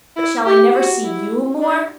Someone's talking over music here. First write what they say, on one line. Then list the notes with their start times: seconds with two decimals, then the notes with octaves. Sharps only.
But shall I never see YOU more?
0.16 E4
0.46 G4
0.75 F#4
1.04 E4
1.61 D4